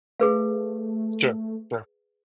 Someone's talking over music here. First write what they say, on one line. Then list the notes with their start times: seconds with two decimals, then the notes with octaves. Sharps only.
It's true, sure.
0.20 A3 G#4 B4 F5